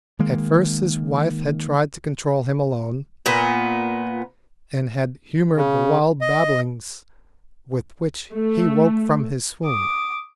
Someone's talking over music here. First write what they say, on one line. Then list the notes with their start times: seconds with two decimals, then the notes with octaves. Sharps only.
At first his wife had tried to control him alone, and had humoured the wild babblings with which he woke from his swoon.
0.19 D#3 G#3 A#3
3.26 A#2 B3
5.56 C#3
6.21 D#5
8.34 A3
9.64 D6 D#6